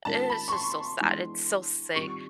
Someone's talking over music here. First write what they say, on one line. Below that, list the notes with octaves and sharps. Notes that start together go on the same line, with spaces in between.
i it's just so sad. It's so sick,
D#3 G#3 C#4 F4 A#4 A5
B5
C#6
C6
E3 G#3 B3 D4
D#3 G3 C4 F4 C#6